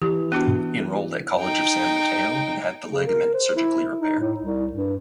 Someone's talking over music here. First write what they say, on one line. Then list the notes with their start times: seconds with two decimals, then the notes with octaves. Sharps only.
He enrolled at College of San Mateo and had the ligament surgically repaired.
0.02 E3 G4
0.32 B3 D4 F#4
1.42 D#4 G5
2.92 C#3
3.07 A#4
3.34 C5
3.56 E4
3.99 D#4
4.20 A2
4.40 C2
4.73 G2